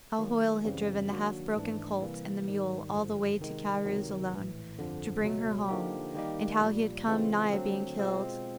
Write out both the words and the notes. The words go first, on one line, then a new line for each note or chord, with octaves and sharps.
How Hoyle had driven the half-broken colt and the mule all the way to Carew's alone, to bring her home, and how he had come nigh being killed.
D#3 F#3 A#3
F#2 C#3 E3 G3 C4
D#3 F#3 A#3 D4 F#4
G#1 G#2 E3 A3 D4
C3 E3 G3 A#3
G#2 D#3 G3
G#1 G2 D3 F3
C3 D#3 G#3
C#2 C3 D#3 F#3
A#1 A2 E3
G1 F2 D3 F3
C#2 B2 F#3 A3
D3 F3 A#3 D#4 G4
D#3 G3 A#3 D#4 G4
A#1 A#2 G3
C#3 E3 G#3 C4 F4
D3 F#3 A3 C4
B2 G#3 C4 F4